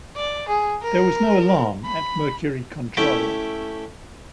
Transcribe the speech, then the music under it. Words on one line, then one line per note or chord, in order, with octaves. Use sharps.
There was no alarm at Mercury Control.
D5
G#4
A#4
B5
A3 C#4 E4 G4 G5